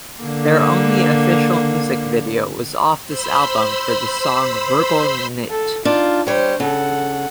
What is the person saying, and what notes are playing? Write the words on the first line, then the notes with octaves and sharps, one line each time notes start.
Their only official music video was off this album for the song Verbal Kint.
D3 A#3
C5 B5 C6 E6
A4
D4 D#4 F4
G3 C5 C#5
C#3 A4 F#5